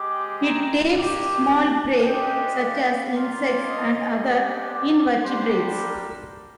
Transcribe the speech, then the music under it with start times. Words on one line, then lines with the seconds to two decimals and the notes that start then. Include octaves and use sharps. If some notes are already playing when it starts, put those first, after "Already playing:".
It takes small prey such as insects and other invertebrates.
Already playing: G#3 C4 G4 D6
0.43 A#5
0.96 A#3 D4 G4
2.03 G#3 D4 G4 G5
2.57 F5
3.11 A#3 F4
3.63 D#5
4.17 G#3 D4 G4
4.70 D5
5.24 G3 D4 G4 C5
5.77 A#4